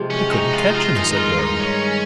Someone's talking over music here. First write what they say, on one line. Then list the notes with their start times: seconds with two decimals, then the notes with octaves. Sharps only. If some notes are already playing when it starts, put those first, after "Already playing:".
"We couldn't catch him," said Durham.
Already playing: C3 F3 G#3
0.11 C#4
0.32 D#4
0.53 F4
0.70 D#4
0.74 F4
0.95 G2 D#3 G#3 D#4
1.11 D#4
1.16 F4
1.39 D#4
1.60 C#4